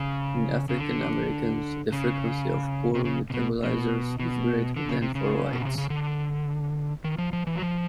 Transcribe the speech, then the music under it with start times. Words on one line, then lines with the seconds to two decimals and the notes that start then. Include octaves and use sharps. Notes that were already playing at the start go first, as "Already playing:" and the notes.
In African-Americans, the frequency of poor metabolizers is greater than for whites.
Already playing: C#3
0.69 C#3
0.78 D3
1.92 C#3
2.95 C3
3.05 C#3
3.30 C3
3.34 B2
3.63 B2
4.20 B2
4.77 D3
4.89 C#3
5.02 C3
5.15 C#3
5.53 B2
5.65 C3
5.78 C#3
5.90 D3
7.04 D#3
7.18 F3
7.33 F3
7.47 E3
7.55 F#3
7.62 F3